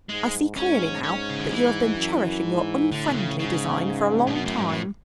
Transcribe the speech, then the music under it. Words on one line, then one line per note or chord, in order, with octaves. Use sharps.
I see clearly now that you have been cherishing your unfriendly design for a long time.
G#2 G#3
G#2 C#4
G#2 C#4
C#3
D3
E3
F#2
G#2
A2 D3
B2
C#3
G#2 C#3
A2
F#2 B2
A2
G#2
A2